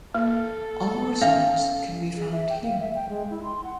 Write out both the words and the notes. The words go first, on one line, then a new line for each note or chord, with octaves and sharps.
All results can be found here.
A#3 A4
C#4 E5 F5
G#4
E5
G5
F5
E5
G5
G#3
E4
C6
F#5